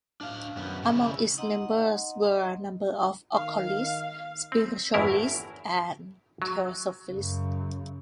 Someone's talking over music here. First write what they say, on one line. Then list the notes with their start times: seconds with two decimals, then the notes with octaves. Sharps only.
Among its members were a number of occultists, spiritualists, and Theosophists.
0.21 D4 F5
0.57 F#2 B3
0.84 C#3 E4
1.38 D#4 D#5 F#5 A#5 C6
3.36 D#3 F5
4.52 C4
4.94 G1 E2 A2 E4 A#4
6.42 F#3
7.10 F#2 C#3